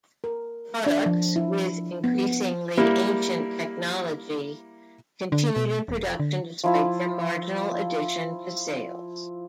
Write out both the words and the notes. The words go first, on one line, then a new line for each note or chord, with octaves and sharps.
Products with increasingly ancient technology continued in production despite their marginal addition to sales.
A#4
D4
F3
E4
B3
G3 A#3 E4
D3
B2
E1
D3
F3 E4 F4